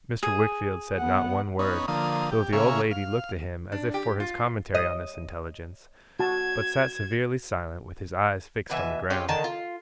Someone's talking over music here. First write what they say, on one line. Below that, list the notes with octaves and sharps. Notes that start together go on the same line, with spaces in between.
Mr. Wickfield said not one word, though the old lady looked to him as if for his commentary on this intelligence; but sat severely silent, with his eyes fixed on the ground.
G#4
B3 F#5
B3 C#4 D#4
D3 F3 A#3 D#6
G4
C#3 A#3 G#4 E5 F5 C#6
F5
D4
G4
F4
D#5
F#4 A5 G#6 E7
B2 E3 E5 G#5
C#4 F4 G4 G#4
D3 D#3 A5
F4